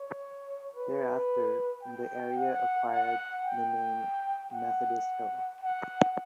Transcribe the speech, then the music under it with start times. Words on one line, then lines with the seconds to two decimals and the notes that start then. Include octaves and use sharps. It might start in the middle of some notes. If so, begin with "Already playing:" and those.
Thereafter, the area acquired the name Methodist Hill.
Already playing: C#5
0.74 B4
1.82 G5
2.36 F#5
2.90 F#5
3.45 G5
4.53 F#5
5.61 F#5